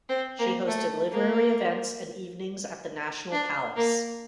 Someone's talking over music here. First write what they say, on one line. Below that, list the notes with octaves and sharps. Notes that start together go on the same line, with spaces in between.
She hosted literary events and evenings at the National Palace.
C4
A#3
A3
A#3
D4
A#3